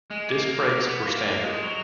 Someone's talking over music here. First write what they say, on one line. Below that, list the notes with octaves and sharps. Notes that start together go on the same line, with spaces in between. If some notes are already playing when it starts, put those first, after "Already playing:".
Disc brakes were standard.
G#3
A#3
B3
A#3
A#3
G#3
F#3